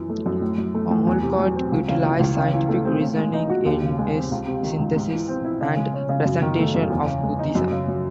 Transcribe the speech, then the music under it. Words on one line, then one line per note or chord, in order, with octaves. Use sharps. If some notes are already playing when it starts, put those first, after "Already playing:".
Olcott utilized scientific reasoning in his synthesis and presentation of Buddhism.
Already playing: F#2 E3
A3
F#2
A2
F#3
A3
A2
E2
C3
F#3
C4
C#2
C#3
E3
C#2
C#3
E3
A3
C4
A2
G#3
D#4
F#4
D#2
C#3
G#3
C4
C#2
C3
D#3
C#2
G#2
E3
C4
E4
C#3
G#3
C#4
C#3
F#2
D#3
A3
F#2
E2
C#3
G#3
D#4
F#2
C#3
F#3